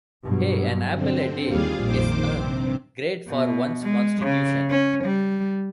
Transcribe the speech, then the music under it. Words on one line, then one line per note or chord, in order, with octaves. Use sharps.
Hey, an apple a day is...uh...great for one's constitution!
G2 B2 F#3
D3 C4
D#2 G3 F4 G#4 F5
A#1 F2 D#3 C5 D6
G2 C3 C4
B2
G#3
C#3
C#4
G3